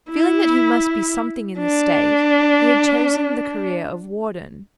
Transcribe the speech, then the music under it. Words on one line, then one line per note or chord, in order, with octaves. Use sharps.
Feeling that he must be something in the State, he had chosen the career of warden.
E4
D4